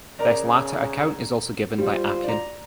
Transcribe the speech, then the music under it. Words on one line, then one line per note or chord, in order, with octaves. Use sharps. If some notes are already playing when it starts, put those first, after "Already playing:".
This latter account is also given by Appian.
C#3 A#4 D5 A#5
G3 F4 C5
D5 A#5